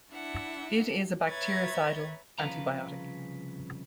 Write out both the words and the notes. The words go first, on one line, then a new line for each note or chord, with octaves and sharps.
It is a bactericidal antibiotic.
D4 E4 E5 F#5
B4 C#5 E5 A#5 G#6 A6
C2 C#3 F3 B4 F5 A#5